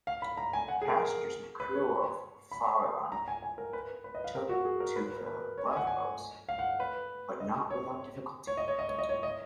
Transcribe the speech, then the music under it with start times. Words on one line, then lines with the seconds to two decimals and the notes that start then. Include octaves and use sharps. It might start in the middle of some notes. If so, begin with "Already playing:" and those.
The passengers and crew of "Farallon" took to the lifeboats, but not without difficulty.
0.07 F5
0.22 B5
0.37 A#5
0.53 G#5
0.68 F#5
0.82 G#4
0.88 A#4
1.60 B4
1.75 C#5
2.52 B5
3.12 A#5
3.28 G#5
3.43 G#5
3.58 A#4
3.73 B4
4.04 B4
4.15 D#5
4.24 F5
4.35 A#4
4.49 F#4
4.65 G#4
4.80 A#4
4.96 B4
5.07 B4
5.16 A#4
5.26 B4
5.58 C#5
5.67 D#5
5.73 G#5
5.77 F#5
5.87 G#5
6.49 F5
6.59 F#5
6.80 B4
7.40 D#5
7.70 C#5
8.47 C#5
8.57 D#5
8.68 C#5
8.79 D#5
8.89 C#5
8.99 D#5
9.09 C#5
9.23 D#5